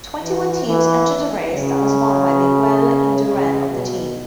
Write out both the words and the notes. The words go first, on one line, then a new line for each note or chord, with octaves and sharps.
Twenty-one teams entered the race that was won by Miguel Indurain of the team.
E3
E3
C#3
C#3
B2